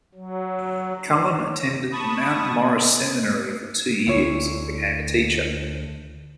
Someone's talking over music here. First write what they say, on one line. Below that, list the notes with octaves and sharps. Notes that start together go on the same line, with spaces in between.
Cullom attended the Mount Morris Seminary for two years and became a teacher.
F#3
A5 B5 C#6 D#6
D2 E4 C#5